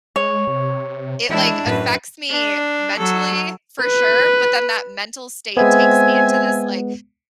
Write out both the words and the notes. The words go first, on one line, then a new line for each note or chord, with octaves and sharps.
it, like, affects me mentally, for sure, but, then that mental state takes me into this, like
G#3 C#5
C3
E3 G#3 D4 E4
F#2 A2 B4
D4
F#3 A4
B4
G#3 B3 C4 E5 G#5